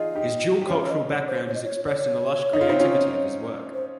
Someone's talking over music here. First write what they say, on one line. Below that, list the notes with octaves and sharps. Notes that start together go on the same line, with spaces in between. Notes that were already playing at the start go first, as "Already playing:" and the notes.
His dual cultural background is expressed in the lush creativity of his work.
Already playing: D#4 F4 G#4 D#5
D#4 G4
G4
C#4 F4 C#5
C#5
D#5
C#5
C5
C#5
D#5
C#5
C#5
D#4
F4
C4 D#4
C#4 F4
C5